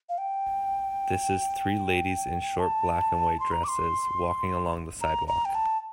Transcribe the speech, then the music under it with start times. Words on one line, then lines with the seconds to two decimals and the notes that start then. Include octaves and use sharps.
This is three ladies in short black and white dresses walking along the sidewalk.
0.09 F5
0.18 G5
2.59 A5
3.40 C6
3.52 A#5
3.64 D6
3.68 C6
5.01 A#5
5.28 A#5
5.45 G5
5.55 A5